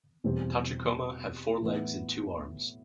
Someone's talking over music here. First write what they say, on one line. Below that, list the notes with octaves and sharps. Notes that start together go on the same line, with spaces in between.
Tachikoma have four legs and two arms.
E2 B2 G3 C4 G4
A2 E3 B3